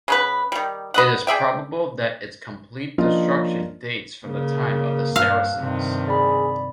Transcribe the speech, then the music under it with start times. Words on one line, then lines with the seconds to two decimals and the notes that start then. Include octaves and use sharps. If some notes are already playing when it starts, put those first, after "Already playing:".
It is probable that its complete destruction dates from the time of the Saracens.
0.08 C#3 B3 B4
0.52 D#3 G3
0.94 B4 D#5 F#5
1.27 G#4 D5 E5 G5
2.98 F3 A#3 C#4 D4 F4 D#5
4.26 C#3 A#3
5.16 G2 F5 E6 F#6
5.57 G2 C3 D#3
6.08 G#4 D5 B5